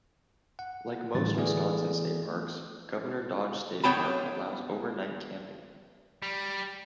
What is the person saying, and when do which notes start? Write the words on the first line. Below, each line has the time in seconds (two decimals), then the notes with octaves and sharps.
Like most Wisconsin State Parks, Governor Dodge State park allows overnight camping.
0.59 F#5
1.14 A2 D3 E3 G3 A3 A6
1.36 E3 A3 B3 G#4 D5
3.84 B3 C#5 G5 A5 B5
6.22 G3